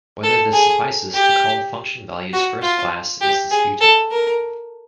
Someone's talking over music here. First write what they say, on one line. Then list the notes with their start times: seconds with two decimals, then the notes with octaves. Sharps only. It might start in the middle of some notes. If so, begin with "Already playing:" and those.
Whether this suffices to call function values first-class is disputed.
0.23 A4
0.53 G#4
1.14 G4
2.33 F#4
2.62 F4
3.21 G4
3.51 G#4
3.81 A4
4.11 A#4